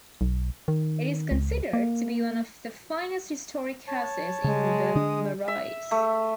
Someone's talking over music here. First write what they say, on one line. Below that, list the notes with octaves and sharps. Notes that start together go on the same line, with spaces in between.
It is considered to be one of the finest historic houses in the Marais.
B1
D#3
C#2
A#3
C#5 A5
C#3 G#3
D3 D4 D#6
E5
A3